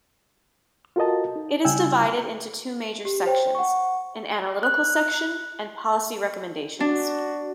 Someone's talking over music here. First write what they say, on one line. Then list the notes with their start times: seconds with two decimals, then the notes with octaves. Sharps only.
It is divided into two major sections: an analytical section and policy recommendations.
0.96 F4 F#4 A4 A#4 D#5 A5
1.36 D#4
1.65 C#3 G3 E4 G5 G#5 E6
3.05 G4
3.26 C5 C#5 G5
3.55 F#5 C#6
4.63 F#6
6.80 D4 F#4